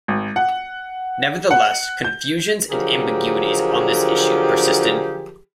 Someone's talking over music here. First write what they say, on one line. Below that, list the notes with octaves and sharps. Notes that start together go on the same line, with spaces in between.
Nevertheless, confusions and ambiguities on this issue persisted.
G#1
F#5
F#5
G6
D3 F3 F#3 G4 G#4 A#4